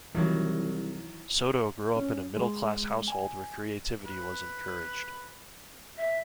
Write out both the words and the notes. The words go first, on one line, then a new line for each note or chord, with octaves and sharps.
Soto grew up in a middle class household where creativity was encouraged.
C2 D#3 E3 F#3
C#4
G#3
G#5
B4
E5